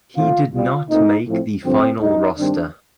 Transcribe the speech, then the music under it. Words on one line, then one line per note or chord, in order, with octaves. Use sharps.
He did not make the final roster.
A#2 A3 C4 F4
C2 C3 G3 F4
A#2 A3 C4 D#4
A2 F3 C4
G2 D3 F3 C4
D2 D3 G3 D#4
G2 D#3 G3 C4 D4